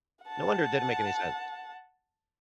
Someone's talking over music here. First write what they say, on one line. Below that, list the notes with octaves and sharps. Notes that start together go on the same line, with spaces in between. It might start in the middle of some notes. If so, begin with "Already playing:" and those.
No wonder it didn't make any sense."
F#5 A5